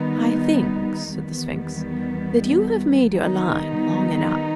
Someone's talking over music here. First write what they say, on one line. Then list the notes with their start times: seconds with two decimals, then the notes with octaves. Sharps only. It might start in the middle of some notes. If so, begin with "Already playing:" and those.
"I think," said the Sphinx, "that you have made your line long enough."
Already playing: D#3 G3 B3 D#4
1.15 E2 D#3 G3 B3
3.18 D#3 G3 B3 D#4